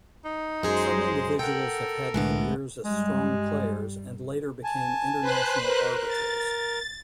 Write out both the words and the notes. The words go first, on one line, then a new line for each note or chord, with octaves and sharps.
Some individuals have had careers as strong players and later become International Arbiters.
D#4
F#2 G#3 G#4 C5 A#5
A4 A#4 F#5 G5
C2 A2 D3 G#3 A3 B3
G2 G3 G#3
G#5 A5
B4 C5 F#6
A#4
A6